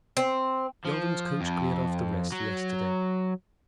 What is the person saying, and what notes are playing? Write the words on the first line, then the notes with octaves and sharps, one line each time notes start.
Yalden's coach cleared off the rest yesterday.
C4
F3
F2
F#3